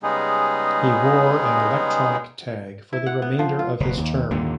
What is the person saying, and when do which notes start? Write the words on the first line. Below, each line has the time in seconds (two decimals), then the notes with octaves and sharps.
He wore an electronic tag for the remainder of his term.
0.03 C#3 G3 G#3 B3 D#4 G#4
2.93 E4
3.06 F#5
3.22 B3
3.39 F3
3.59 F4
3.80 F#1 B2
3.97 D#2
4.31 D#2 A#2 D3